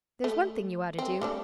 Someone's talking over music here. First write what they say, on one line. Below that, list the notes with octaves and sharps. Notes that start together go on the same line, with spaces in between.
"There's one thing you ought to do."
A3
C4
G3 A3 D4